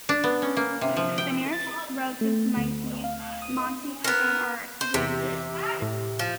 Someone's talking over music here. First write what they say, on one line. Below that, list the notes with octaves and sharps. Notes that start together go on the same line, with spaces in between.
The nearest relatives might be Monty Python, or The Goons.
D4
B3
C#4
A#3
C3
F3
G5
A6
A3
D2
F5
D#6
B3 A#4
C5
E2 C3
A2
F3